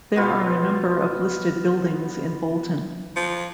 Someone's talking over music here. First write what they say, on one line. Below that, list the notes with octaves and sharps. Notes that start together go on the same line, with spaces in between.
There are a number of listed buildings in Bolton.
B2 B3 F4
F3